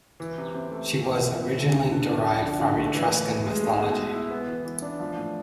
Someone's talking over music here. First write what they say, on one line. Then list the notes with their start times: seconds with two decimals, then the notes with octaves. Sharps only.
She was originally derived from Etruscan mythology.
0.20 E3
0.38 C3
0.55 C4
0.71 A3
0.89 A3
1.06 E3
1.23 E4
1.40 C4
1.57 A3
1.74 D3
1.91 D3
2.08 D4
2.26 F3
2.42 D3
2.60 D3
2.77 A3
2.94 E3
3.12 A2
3.28 A2
3.46 G#3
3.63 A3
3.80 B2
3.96 B2
4.14 E4
4.31 B3
4.48 E3
4.65 E3
4.82 D4
5.00 F3
5.16 A2